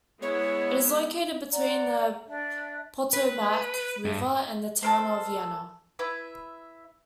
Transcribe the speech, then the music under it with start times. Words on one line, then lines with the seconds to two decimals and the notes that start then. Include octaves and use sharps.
It is located between the Potomac River and the town of Vienna.
0.22 G#3 B3 E4 C#5
1.51 D5 F#5 A#5
2.28 D4 E5
3.13 B4
4.05 G2
4.83 A4 A#4 C5
5.99 E4 B4 E5